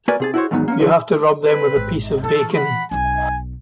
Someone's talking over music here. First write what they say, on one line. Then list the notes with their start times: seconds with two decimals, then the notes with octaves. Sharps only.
You have to rub them with a piece of bacon.
0.08 A#3 F#4 A#4 B4 D5 G#5
0.20 C3 G#4 A5
0.34 E4 F#4 G#4 C5 C#5
0.51 E2 G#2 D#3 F#3 B3 D#4
0.68 A#3 B3 C#4
0.80 D3 D#3 F3 F#3 E4 B4
1.45 C4 B4
1.76 G#1
2.24 E3 A4
2.55 F#5 B5
2.91 B1 D#4 G#5